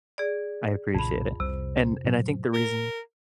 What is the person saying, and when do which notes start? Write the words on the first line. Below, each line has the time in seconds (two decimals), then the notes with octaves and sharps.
I appreciate it. And and I think the reason
0.18 G#4 D5
0.95 B1 F2 A#2 C#3 B5
1.40 C2 C3
2.04 A2 F#3
2.54 A#4